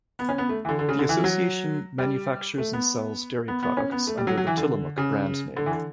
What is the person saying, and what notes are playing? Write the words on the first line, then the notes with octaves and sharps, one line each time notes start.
The association manufactures and sells dairy products under the "Tillamook" brand name.
B3
C#4
B3
A3
E3
D3
D3
C#3
D3
E3
F#3
G3
A3
B3
B3
B3
C#4
B3
A3
G3
F#3
F#3
E3
D3
C#3
D3
E3
D3